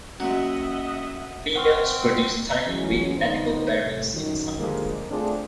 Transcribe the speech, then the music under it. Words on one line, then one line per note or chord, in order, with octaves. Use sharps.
Females produce tiny, red, edible berries in summer.
F#3 A#3 C#4 D#5 E5 F#5
C4 F#5 C#6 F6
E3 F#3 G#3 C#4
D3 B3 D#4 C5
C2 A2
A#1 F#2 D#3
D3 F3 G3 G#3 A#3
A3 C4 D4 F4 G#4